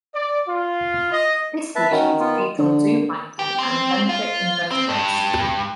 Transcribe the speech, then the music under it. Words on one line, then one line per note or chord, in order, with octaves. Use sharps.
This species feeds on zooplankton and benthic invertebrates.
D5
F4
D#5
B4 E5 A5
D#3 C#4 F#4
B3 F4
D3
G4
C4
F4
C4
G2